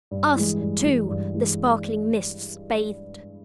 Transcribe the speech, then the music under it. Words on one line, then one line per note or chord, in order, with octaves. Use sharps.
Us, too, the sparkling mists bathed.
G2
E3 G#3
G2
E3 G#3
G2
E3 G#3